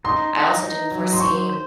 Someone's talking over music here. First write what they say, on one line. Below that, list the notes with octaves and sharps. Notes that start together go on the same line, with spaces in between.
I also didn't foresee
D#4 C6
D#4
D#4
F#3
C6
C5 C#6
C5